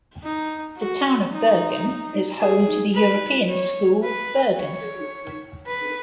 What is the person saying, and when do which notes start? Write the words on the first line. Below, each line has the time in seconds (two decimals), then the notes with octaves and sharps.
The town of Bergen is home to the European School, Bergen.
0.22 D#4
0.77 F#4
1.31 D#4
2.40 G#4
2.95 B4
3.48 C#5
4.03 B4
4.57 C#5
5.66 B4